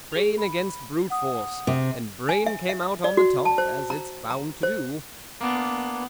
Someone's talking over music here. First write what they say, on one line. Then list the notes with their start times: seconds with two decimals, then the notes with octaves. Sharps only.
'Brain against brute force--and brain came out on the top--as it's bound to do.
0.12 G#4 F7
0.38 B5
1.10 F#5 D#6
1.67 C3
2.29 G#5
2.47 E5
2.69 E5
3.04 D5
3.17 F#4
3.45 A5
3.58 C5
3.90 A#5
4.30 A#5
4.63 C5
5.41 A#3 B3 D4